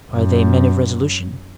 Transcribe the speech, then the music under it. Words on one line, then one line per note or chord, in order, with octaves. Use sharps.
"Are they men of resolution?"
F#2